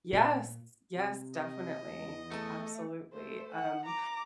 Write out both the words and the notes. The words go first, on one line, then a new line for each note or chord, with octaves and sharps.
Yes. Yes, definitely. Absolutely. Um,
A#2
C3
D#5
E2
A3 G#4 A5
A3 C5
F#5
A#5 D6